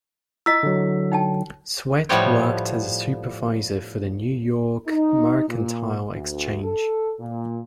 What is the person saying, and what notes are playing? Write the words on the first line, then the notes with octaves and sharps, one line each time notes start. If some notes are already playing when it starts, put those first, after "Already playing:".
Sweat worked as a supervisor for the New York Mercantile Exchange.
E4 D#5 E6 B6
D3 F#3
D#4 G5 A5
A2 F3 G3 B3 C#5 G5
D#4
A#2
D2
A4
A#2